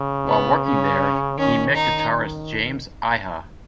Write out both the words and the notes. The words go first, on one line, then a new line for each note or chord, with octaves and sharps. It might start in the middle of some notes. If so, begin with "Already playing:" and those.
While working there, he met guitarist James Iha.
Already playing: C#3
B3
C#4
D#3 C#4
D#4